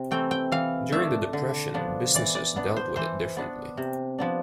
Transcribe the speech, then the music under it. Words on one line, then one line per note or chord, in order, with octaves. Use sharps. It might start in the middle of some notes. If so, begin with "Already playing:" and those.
During the depression, businesses dealt with it differently.
Already playing: C3
E3 A3 C4 G5
G5
E3 F5
A3 D4 E5
D3
F3 B3 D4
E3 D5
D5
B3 D4
C5
E3 C5
B3 D4
C3
F3 B3 D4